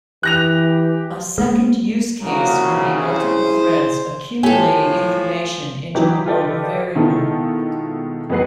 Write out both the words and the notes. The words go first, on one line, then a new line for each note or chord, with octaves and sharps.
A second use case would be multiple threads accumulating information into a global variable.
E3 G4 F#6 A#6 F7
G#3 A#3
C2 C#3 F3 A#3 F#4
E4 G#4 C5
A2 F3 G4 A4 G#5
E3 F#3 D#4 F#4 G4 B4
F4 G4 A4 B4 D5 D#5
B2 D#3 G#3 E4 F4 A4
F2 F#3 G#3 B4 F#5 C7